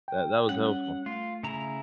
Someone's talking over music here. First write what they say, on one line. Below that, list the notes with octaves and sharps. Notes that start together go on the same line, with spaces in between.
That that was helpful.
G5
G3 C#4 F#5
A3 F4
C#3 E4 A#5